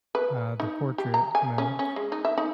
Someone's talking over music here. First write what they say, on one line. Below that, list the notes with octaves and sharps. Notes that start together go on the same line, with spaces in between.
uh, the portrait mode,
B4
D#4
G4
A#5
G#5
C#4
C#4
G#3
D#4
E5
D#4